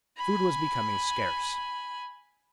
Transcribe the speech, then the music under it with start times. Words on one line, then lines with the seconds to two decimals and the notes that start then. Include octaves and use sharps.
Food was becoming scarce.
0.17 G#5 B5